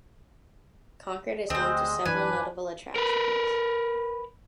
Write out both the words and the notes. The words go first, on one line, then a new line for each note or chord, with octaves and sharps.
Concord is home to several notable attractions.
D2 G3 G#3 C4 C5 D#5
F#2 E3 D4 B4 G#5
A#4 B4